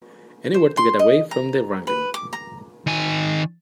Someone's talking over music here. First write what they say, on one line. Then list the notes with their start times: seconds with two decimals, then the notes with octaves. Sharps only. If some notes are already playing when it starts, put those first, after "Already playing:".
Anywhere to get away from that wrangling.
0.54 C5
0.77 C6
0.99 D#5
1.31 A#5
1.87 B4
2.14 D6
2.33 A#5
2.87 D#3 G#5